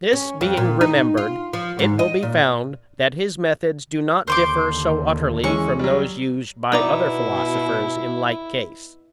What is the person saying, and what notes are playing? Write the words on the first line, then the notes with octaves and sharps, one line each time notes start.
This being remembered, it will be found that his methods do not differ so utterly from those used by other philosophers in like case.
C#4
F2
A#2
D#4
F4
F3
G#2
D#5
A#2
D#2 D3 C5 C6 D6
E3 G#3 C#4 C#6
F#3 G3
B2 B3 D#4 E4 B4 D5 A#5 D6